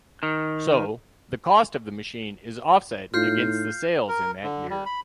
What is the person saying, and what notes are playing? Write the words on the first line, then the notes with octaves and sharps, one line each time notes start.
So, the cost of the machine is offset against the sales in that year.
D#3
A2 D#4 F4 F6 G6 C7
A#4
D3
G3
B5